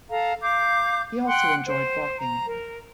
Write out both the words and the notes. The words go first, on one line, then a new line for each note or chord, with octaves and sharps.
He also enjoyed walking.
A4 F5 A#5
F5 D6 G6
F#5 G5 C6 F#6
C5
A#5
A#4